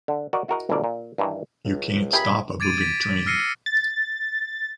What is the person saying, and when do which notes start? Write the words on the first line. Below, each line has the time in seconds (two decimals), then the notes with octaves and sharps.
You can’t stop a moving train.
0.08 D3
0.33 F#4 A#4 D5 D#5
0.48 E4 F#4 G#4 A#4 D#5 F#5
0.70 G1 D2 B2 E4 A#4 D5
0.84 A#2
1.18 G2 D#3 E3
1.65 C#2
2.13 G4 G#4 A#4 E5 B5
2.60 D6 G#6 A6 D7 D#7
2.79 A6 B6 D7
3.26 E6 F6 A#6 C7 C#7 D#7
3.66 A6